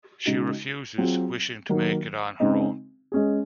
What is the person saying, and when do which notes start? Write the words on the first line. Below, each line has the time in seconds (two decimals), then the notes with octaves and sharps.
She refuses, wishing to make it on her own.
0.26 C#3 G#3 D#4 F#4
0.98 F#3 C4 F4 G#4
1.69 D#3 F#3 A#3
2.40 C#3 G#3 C4 D#4
3.12 G#3 C#4 G#4